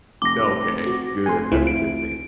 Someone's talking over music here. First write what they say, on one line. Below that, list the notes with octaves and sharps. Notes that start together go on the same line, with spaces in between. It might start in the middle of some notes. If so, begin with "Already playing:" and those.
Okay, good. That's a good thing.
F1 D6 A#6
F#4
F1 G#5 C6
C#2 E4 F4
D7